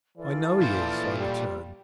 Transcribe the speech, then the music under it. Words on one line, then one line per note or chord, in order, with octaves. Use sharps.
"I know he is," I returned.
E3 F4 A4 D5
A#2 C5
G3